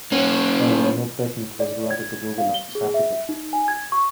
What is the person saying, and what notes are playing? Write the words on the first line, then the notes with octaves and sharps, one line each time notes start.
However, no patent was granted to Google on this application.
A#3 C#4
D5
G#6
F5
G7
G#4
E5
D#4
G#5
G#6
C#6